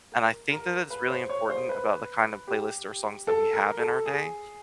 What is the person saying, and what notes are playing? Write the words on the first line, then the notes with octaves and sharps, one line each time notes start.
and I think that it's really important about the kind of playlists or songs that we have in our day,
A#4
A#4
B4
C5
C#5
C5
B4
G4
A4
A#4
A4
G#4